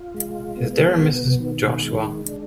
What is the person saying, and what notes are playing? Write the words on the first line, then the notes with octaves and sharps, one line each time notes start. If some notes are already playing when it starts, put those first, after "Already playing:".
Is there a Mrs. Joshua?
Already playing: F4
G#3
B3
B2
D#3
G#3
D4